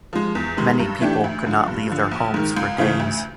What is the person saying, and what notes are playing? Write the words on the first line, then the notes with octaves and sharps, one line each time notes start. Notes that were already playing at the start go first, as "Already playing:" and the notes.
Many people could not leave their homes for days.
F3 G#3
E2
C3 D#3 G#3
G2
E3 A3 D4 G4
D2
D3 F3
G2
D3 F3
A#1
G#2 D#3
C#2
C#3 E3 A3
D2